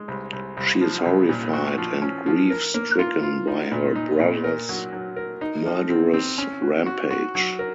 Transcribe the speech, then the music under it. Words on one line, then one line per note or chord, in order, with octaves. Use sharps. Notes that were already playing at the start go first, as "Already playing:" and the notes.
She is horrified and grief-stricken by her brothers' murderous rampage.
Already playing: G#3
C2
C2
C2
F3
C2
A#2
F#4
F3
C#4
F3
A#4
A#3
F4
F4
D#4
A#2
D#4
A#2
A#4
F#3
F#3
A#4
D#4
F3
C4
C4
C#4
F#4
F#4
F#4
F#3
A#4